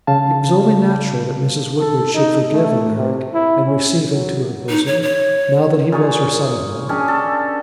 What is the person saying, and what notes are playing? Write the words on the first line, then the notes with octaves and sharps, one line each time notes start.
It was only natural that Mrs. Woodward should forgive Alaric and receive him to her bosom, now that he was her son-in-law.
C#3 F5 A5
A4
D#4
A3
C3
E4
C#4
F#3
D#4
C#5
C#5
A#2 G#4 C#5
C#4 D4 G4 G#4
A4